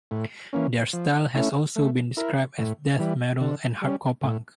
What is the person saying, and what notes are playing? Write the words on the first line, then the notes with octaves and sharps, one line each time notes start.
Their style has also been described as death metal and hardcore punk.
A2
E3 A#3 C#4
F3
A3 C#4 E4
A3
E4 A#4
A2
E3 G3
D3
G3 C#4
A2